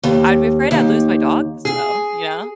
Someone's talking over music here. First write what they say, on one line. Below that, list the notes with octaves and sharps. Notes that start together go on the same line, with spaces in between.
I'd be afraid I'd lose my dog, so, you know.
D#2
D#2
G#4